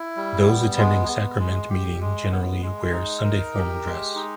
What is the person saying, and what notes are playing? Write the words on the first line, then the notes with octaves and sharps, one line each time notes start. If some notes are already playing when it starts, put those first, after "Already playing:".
Those attending sacrament meeting generally wear "Sunday formal" dress.
Already playing: E4
G3
B3
G#3
B3
G#3
G4
G#3
B3
G#3
D#4
A#4
G4
G#3
D#4